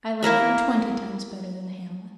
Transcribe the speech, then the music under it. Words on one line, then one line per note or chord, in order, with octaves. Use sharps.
I like you twenty times better than Hamlet.'
A#3 E4 A#4 E5